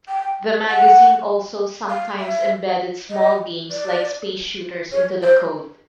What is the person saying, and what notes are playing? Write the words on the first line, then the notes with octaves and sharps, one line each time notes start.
The magazine also sometimes embedded small games like space shooters into the code.
G5
F#5
F5
E5
D#5
D5
C#5
C5